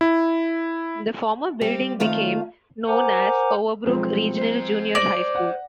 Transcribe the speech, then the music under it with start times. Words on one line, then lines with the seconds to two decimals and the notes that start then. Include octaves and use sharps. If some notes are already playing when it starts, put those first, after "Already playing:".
The former building became known as Overbrook Regional Junior High School.
0.01 E4
1.61 G3 C4 G4
2.00 F2 D#3 A3 F4 F5
2.88 A#4 C5 F#5 G#5 A#5 D6
3.86 B1 F3 G#3 C4
4.38 G#4 C5
4.95 D5 A#6
5.35 F#5